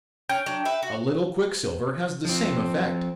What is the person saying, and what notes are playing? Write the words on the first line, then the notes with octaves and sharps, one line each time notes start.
A little quicksilver has the same effect.
C#4 G5
F#3 D4
B4 E5
F#4
F3 C4